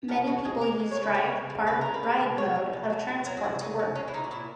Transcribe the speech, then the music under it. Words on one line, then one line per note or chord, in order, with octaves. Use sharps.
Many people use drive-park-ride mode of transport to work.
B2 A#4
G#3 F#4
G#3 G#4
G#3 A#4
G#3
C#5
C#3
B4
C#3 C#5
C#3
C#3
C#3 B4
G#3 A#4
B4
G#3
B2
G#3 C#5
G#3
B2
F#3
F#3 B4
F#3 A#4
G#4
C#3 F#4
C#3 D#4
C#3
G#3 C#4
E4
A#2 D#4
F#4
A#2 E4